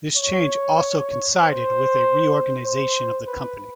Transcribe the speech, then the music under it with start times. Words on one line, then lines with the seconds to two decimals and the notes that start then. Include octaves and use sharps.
This change also coincided with a reorganization of the company.
0.17 C#5
1.42 C5
2.65 C5
3.27 B4